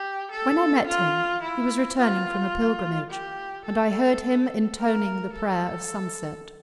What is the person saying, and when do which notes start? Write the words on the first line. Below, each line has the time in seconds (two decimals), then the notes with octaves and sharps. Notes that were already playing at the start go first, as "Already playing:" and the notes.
When I met him he was returning from a pilgrimage, and I heard him intoning the prayer of sunset.
Already playing: G4
0.31 A4
0.87 F4
1.42 E4
1.99 F4
3.11 G4
3.66 A4
4.78 A#4
5.34 A4